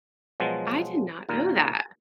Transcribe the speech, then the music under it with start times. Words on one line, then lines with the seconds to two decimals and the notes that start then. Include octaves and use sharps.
I did not know that.
0.40 B2 F3 F#3 G#3
1.29 D#2 A#2 A#4